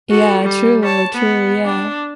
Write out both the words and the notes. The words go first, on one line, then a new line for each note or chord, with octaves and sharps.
Yeah, true, true, yeah.
F#4 A4
G3
C#5 A5
B3
D4